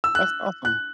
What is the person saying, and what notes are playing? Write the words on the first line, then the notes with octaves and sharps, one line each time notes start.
that's awesome.
E6
F#6
F#6